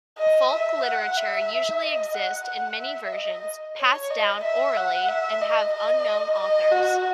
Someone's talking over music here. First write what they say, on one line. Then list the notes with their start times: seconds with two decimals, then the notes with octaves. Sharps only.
Folk literature usually exist in many versions, passed down orally, and have unknown authors.
0.19 D#5
0.52 E5
0.84 F#5
1.17 E5
1.83 D#5
2.15 F#5
2.47 F#5
2.80 E5
3.12 D#5
3.78 C#5
4.10 D#5
4.43 E5
4.76 F#5
5.09 E5
5.41 D#5
5.74 D#5
6.39 D#5
6.72 F#4